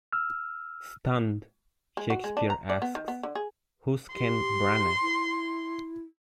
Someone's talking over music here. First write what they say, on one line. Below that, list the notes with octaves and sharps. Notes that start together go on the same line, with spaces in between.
Stunned, Shakespeare asks, Who's Ken Branagh?
E6 F6
G#3
F#4
G#3
D4
A#5
D5
B3
D#3
B3
D3
G#4
G4 C6
E4